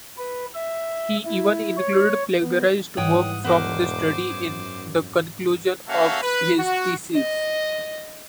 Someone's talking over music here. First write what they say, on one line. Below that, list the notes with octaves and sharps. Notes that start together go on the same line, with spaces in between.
He even included plagiarized work from the study in the conclusion of his thesis.
B4
E5
E4
C#5
B3
G#2 E3 G3 C#5 F#5 G5 D#6
E1 B3 A#4 C5 D6
F#2 D#6 G#6 E7
A#3 C#4 F#4 A4 E5 F5
B4
F#4
D#5